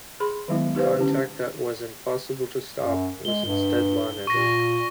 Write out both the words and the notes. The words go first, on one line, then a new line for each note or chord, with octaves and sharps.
Contact that was impossible to stop was instead monitored.
G#4 B5 C6
D#3 F#3 G#3 B3 E4
D#4 G4 B4 C5 F5
D3 C#4 E4 G4
F#2
G#3 G7
G2
A#2 C#6 A#6